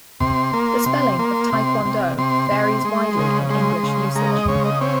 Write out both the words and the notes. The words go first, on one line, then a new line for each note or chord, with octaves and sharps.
The spelling of "taekwondo" varies widely in English usage.
C3 C6
A#3
C3
A#3
C3
C3
C3 C6
C3
G#3
C#3
G#3 C6
C#3
G#3 A#5
D#5
C#3 C#5
D#5
C4 C#5